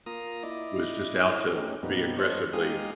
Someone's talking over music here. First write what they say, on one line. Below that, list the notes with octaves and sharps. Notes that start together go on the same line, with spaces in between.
was just out to be aggressively
A#3 F4 A#5 D#6
E4 D5 D#5
A3 C#4 D#4 G4
F2 A#2 G3 B3 D#4
A4 C5 C#5 D#5
G#3 D#4 G4 G#4 F5 D#6